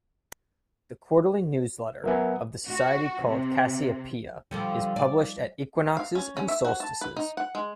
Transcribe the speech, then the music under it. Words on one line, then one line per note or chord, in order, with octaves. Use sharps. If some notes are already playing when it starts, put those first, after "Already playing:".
The quarterly newsletter of the Society, called "Cassiopeia" is published at equinoxes and solstices.
F#3 B3 A#4 E5 G#5
F#4
C3
D3 F3 G3
D5
F5
C#4
C#4
E5
F#4
A5
B4
D#4
F#5
G#3